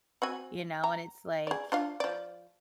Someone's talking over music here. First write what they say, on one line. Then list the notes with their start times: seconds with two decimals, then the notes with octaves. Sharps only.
you know? And it's, like,
0.22 C4 F#4 G#5
0.84 A#5
1.47 G#4 D5
1.72 D4 F4 F5
2.00 F3 D5